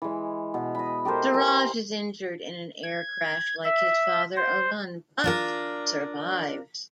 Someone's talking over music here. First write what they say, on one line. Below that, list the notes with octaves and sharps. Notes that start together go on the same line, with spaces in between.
Suraj is injured in an air crash like his real father Arun, but survives.
E3 G#3
B2
D#5 B5
G4 A4 A#4 C5
A#4 C5 G#5
G#6
E5
C5
D4 F4 A#4